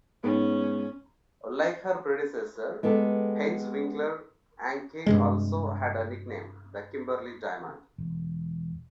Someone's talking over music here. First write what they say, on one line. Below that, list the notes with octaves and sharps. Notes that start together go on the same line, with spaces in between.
Like her predecessor, Heinz Winckler, Anke also had a nickname: The Kimberley Diamond.
G#2 B3 C#4
G#3 B3 G4 A4
G2 C3 G#3
E1